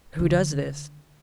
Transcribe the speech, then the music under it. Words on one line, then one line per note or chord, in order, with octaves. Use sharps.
Who does this?
D3